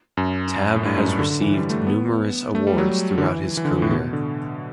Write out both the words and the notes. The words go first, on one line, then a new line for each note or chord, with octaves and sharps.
Tabb has received numerous awards throughout his career.
F#2
A2
G2
F#2
G2
D3
D3
E3
G3
A3
B3
A3
G3
F#3
F#3
D3
E3
E3
D3
A2
B2
D3